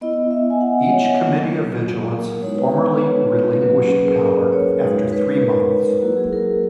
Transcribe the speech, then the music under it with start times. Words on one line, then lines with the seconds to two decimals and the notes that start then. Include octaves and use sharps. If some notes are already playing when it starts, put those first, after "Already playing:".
Each Committee of Vigilance formally relinquished power after three months.
0.01 B3 E4 D#5
0.31 E5
0.50 G#5
0.61 F#5
0.92 C#5
1.21 F#3 A#3 E4
2.11 A#4
2.42 G#3 B3 D#4 F#4 C#5
2.57 B4
2.71 B4
2.98 C#5
3.01 B4
3.62 F#3 A#3 C#4 F#4 B4
3.92 G#4
4.06 A#4
4.52 C#5
4.82 G#3 D#4 F#4 C#5
5.12 B4
5.42 A#4
6.01 F#3 A#3 E4 F#4
6.17 G#4
6.33 A#4